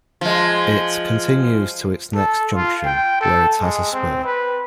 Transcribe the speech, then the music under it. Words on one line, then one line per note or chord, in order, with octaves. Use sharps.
It continues to its next junction, where it has a spur.
F3 G#3
A4
F4
G5
A4
G#3
C4
B4